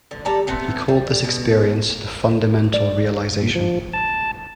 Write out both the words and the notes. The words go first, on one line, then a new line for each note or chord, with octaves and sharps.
He called this experience the "Fundamental Realization".
D3
G3 A4 D5 A#5
A3 B3 C4
G3
B2
A#3
D5
A#2
F3
A5